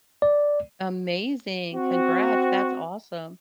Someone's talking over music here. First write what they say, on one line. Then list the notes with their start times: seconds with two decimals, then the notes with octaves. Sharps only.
Amazing, congrats, that's awesome.
0.22 D5
1.74 C4 F#4